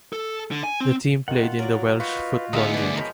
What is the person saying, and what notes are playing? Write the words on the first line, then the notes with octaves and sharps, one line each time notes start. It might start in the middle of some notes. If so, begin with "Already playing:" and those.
The team played in the Welsh Football League.
A4
D3
G#5
C4
D#3 F4 F#5
F#3 A#4 D5
D#4 F4 F#4 B4
D2 G#3 B3 D#4 E5 F5
B2 E3 G#3 D5
F3 A#4 C#5 B5